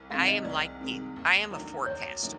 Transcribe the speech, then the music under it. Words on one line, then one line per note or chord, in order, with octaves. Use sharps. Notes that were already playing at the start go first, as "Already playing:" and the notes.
I am like you, I am a forecaster.
Already playing: C2
C3 D#3 G#3 F5
D#5
C2 D5
C3 D#3 G#3
D#2
D#3 F#3 A3 D4
D#2 C#5
D#3 F#3 A3 D4